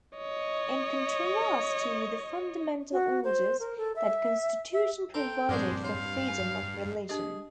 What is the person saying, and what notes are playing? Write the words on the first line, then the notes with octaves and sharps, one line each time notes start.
In contrast to the Fundamental Orders, that constitution provided for freedom of religion.
C#5 D#5
F#4
C5
A#4
A4
E5
E5
C4 A4 G5 A#5
A#1 G2 G#3 C4 D4 C5
C5 C#5 F5
G#5
D4 G4 G#4 D#5